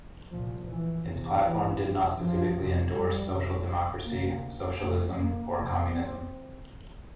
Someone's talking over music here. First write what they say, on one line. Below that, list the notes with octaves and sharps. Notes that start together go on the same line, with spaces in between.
Its platform did not specifically endorse social democracy, socialism, or communism.
C2 A#2 F3
E3
E2 C3
E3
F2 C3
F3
F2 C3
G3
F2 C3
D2 C3 A#3
F2 C3 A3
A#3
F2 C3 A#3
C4